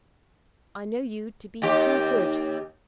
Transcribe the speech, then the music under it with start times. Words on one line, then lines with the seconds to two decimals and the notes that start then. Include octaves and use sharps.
I know you to be too good.
1.62 D#2 G4